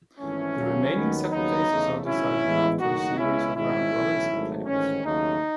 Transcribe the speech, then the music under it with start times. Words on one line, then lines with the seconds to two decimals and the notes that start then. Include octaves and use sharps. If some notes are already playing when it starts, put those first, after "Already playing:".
The remaining seven places are decided after a series of round robins and play-offs.
0.19 G#1 G#2 E3 A3 C#4
0.56 D#2 C#3 F#3 A3
0.93 D#2 D#3 F#3 B3
1.30 D#2 C#3 F#3 B3 D#4
1.68 E2 C#3 E3 A3
2.05 G#1 F#2 C#3 C#4 E4
2.42 A1 G#2 E3 G#3 B3
2.80 F#1 F#2 D#3 A3 D#4 F#4
3.17 C#2 C#3 G#3 B3 C#4 E4
3.54 G#1 G#2 D#3 G#3 C#4 E4
3.91 B1 A2 E3
4.29 G#1 G#2 F#3 A3
4.66 A1 G#2 D#3 C#4
5.03 D#2 C#3 F#3 A3 D#4